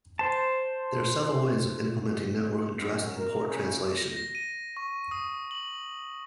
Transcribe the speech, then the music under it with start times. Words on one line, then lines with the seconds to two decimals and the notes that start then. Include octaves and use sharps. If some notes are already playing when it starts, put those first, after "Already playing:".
There are several ways of implementing network address and port translation.
0.19 C5 A5
2.78 F#2
3.16 A#4
3.47 C#3
3.97 A#6
4.16 A#6
4.35 D#7
4.77 C#6
5.11 D#6
5.51 F#7